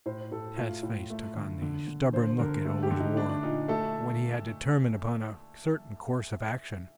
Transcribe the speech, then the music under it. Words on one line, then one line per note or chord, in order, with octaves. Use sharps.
Tad's face took on the stubborn look it always wore when he had determined upon a certain course of action.
A2 C5
A2 A4
A3 F4
A2
A3
D3
D3
D3
D3 C5
D3 A#4
A3 A4
G4
D3
D#4
A3 D4
D4
A#2 D#4
A3 A4